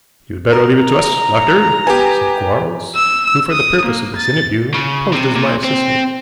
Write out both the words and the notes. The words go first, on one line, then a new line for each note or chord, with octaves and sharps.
"You had better leave it to us, doctor," said Quarles, who, for the purpose of this interview, posed as my assistant.
A#4 A#5
B3 G4 G#5
E6
D#6
A#3
A6
C#3
C3
A#2
C4